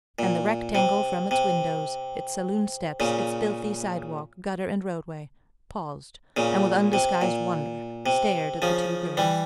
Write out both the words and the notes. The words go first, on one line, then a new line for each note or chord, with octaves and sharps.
And the Rectangle from its windows, its saloon steps, its filthy sidewalk, gutter and roadway, paused, and with undisguised wonder stared at the two girls.
A#2
C3
C3
A#2 C#3
A#2 C#3
C3
A#2
C3
C#3 F3
E3 G3